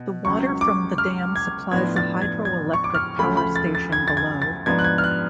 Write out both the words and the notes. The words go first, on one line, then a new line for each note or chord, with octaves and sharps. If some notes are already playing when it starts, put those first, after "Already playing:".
The water from the dam supplies a hydroelectric power station below.
Already playing: B2
C#2 C#3 F#3 C#6
D6
F6
G#6
A2 F3 B3 D4 G#6
A6
G#6
G#6
C#6
D6
F6
D2 C#3 F3 A3 B5
B5
A6
A6
G#6
A6
G#6
A6
G#2 F3 B3 D4 G#6
F#6
G#6
F6
F#6